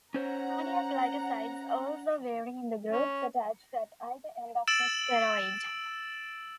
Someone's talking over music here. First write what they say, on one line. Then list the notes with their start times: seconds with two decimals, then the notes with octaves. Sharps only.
Cardiac glycosides also vary in the groups attached at either end of the steroid.
0.14 C#4 C5 C#5 F#5 A#5
2.91 C#4
4.68 E6 A6 D7 E7 F#7